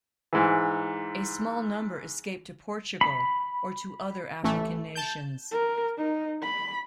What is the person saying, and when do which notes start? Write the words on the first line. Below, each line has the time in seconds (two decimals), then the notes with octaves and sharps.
A small number escaped to Portugal or to other African nations.
0.33 G#2 E3
3.01 B5
4.43 A1 E3 A3
4.95 A5 G6
5.52 A#4
5.98 D#4
6.43 B5